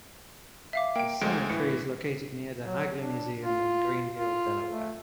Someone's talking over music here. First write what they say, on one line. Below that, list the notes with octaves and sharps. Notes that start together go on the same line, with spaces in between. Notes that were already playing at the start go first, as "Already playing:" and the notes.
The cemetery is located near the Hagley Museum in Greenville, Delaware.
E5 F5 D6
A#3 G5 D7
D2 G#3 D7
A2 E3 C#7
F#3
D4
F4
F4
A3